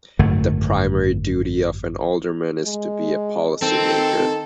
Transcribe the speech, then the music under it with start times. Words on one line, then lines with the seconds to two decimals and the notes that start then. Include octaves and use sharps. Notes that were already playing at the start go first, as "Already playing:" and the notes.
The primary duty of an alderman is to be a policy maker.
0.19 G#1 F#2 D3 A3
2.64 G#3
3.62 D#3 C4 A4